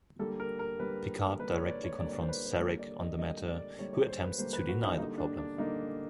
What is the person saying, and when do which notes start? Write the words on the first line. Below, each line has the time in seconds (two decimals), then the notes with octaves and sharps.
Picard directly confronts Sarek on the matter, who attempts to deny the problem.
0.19 D3 G3 A#3 A4
0.40 A#4
0.59 A#4
0.79 D3 G3 A#3 B4
1.39 D3 G3 A#3 B4
1.54 C#5
1.65 D5
1.69 C#5
1.84 C#5
1.99 D3 G3 A#3 D5
2.09 D5
2.14 C#5
2.21 C5
2.29 B4
2.44 C5
2.58 D3 G3 A#3 C#5
2.79 D5
2.99 D#5
3.18 D3 G3 A#3 D#5
3.48 D5
3.78 D3 G3 A#3 C#5
3.93 C#5
4.08 C5
4.23 B4
4.38 D3 G3 A#3 C5
4.53 B4
4.69 F#4
4.83 D#4
4.98 D3 G3 A#3 D#4
5.18 D4
5.38 D4
5.58 D3 G3 A#3 D#4